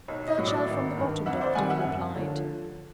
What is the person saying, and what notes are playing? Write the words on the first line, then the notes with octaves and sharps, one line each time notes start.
"Third shelf from the bottom, doctor," he replied.
B1 C#5
C#5 D#5
A2 F#3
D5 E5
G#1
G2 D#3
F2 E5 F#5
C5 D5
C3 D#3 G3 F#5 G#5
E5 F#5
F#2
D3 F3 C#5